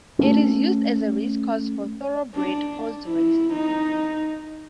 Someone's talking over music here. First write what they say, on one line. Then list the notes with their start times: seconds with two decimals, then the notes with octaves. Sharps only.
It is used as a racecourse for Thoroughbred horse racing.
0.19 A3 B3 C#4
2.35 D4
3.06 E4
3.53 D#4